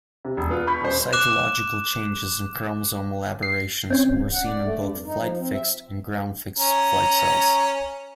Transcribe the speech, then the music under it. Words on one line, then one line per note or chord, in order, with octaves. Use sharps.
Cytological changes and chromosomal aberrations were seen in both flight-fixed and ground-fixed flight cells.
C3
E1
B3 F4
B5 C#6 G6 B6
D#1 C5
D6 F#6 E7
C7
C4 C#4
F#5
D5
A3
G2
F2
D#4
F3
C4
E5
C#4 A#5